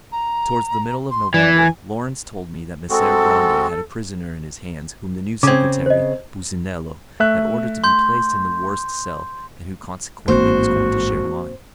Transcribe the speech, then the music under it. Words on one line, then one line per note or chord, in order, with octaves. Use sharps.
Towards the middle of November, Lawrence told me that Messer-Grande had a prisoner in his hands whom the new secretary, Businello, had ordered to be placed in the worst cell, and who consequently was going to share mine.
A#5
C6
E3 D5
G#5
G#3 C4 F#4 A4
C#3 C4 D6 G#6
C5 D#5
A3 E5 F#6
C6 G6
A1 G#2 A#3 C4 F#4 C5